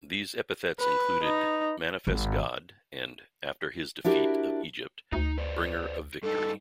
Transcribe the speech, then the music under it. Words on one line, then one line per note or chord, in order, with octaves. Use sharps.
These epithets included "manifest god", and, after his defeat of Egypt, "bringer of victory".
B4
D#4
G#1
D4 E4 F#4 G4 A#4
D2 D#4
B4 C5 D5
G2 D#4 A4